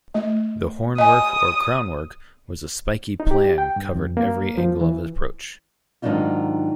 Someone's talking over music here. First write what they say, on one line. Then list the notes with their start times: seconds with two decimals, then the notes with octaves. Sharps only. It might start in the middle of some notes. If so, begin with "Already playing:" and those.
The hornwork or crownwork was a spiky plan covered every angle of approach.
0.14 A3 D#5
0.98 D#5 G#5 D#6
3.20 D#4
3.31 G4
3.58 G5
3.76 G2
3.95 F2
4.17 A#3
4.58 F3
4.81 E3
6.02 G#2 D#3 F#3 D4 D#4 F4